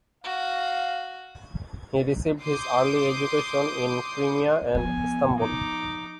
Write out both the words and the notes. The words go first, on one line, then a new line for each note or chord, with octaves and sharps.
He received his early education in Crimea and Istanbul.
F#4 F5
C6 D6 D#6 G6 C7
F3 B3 G#5
D#4 D6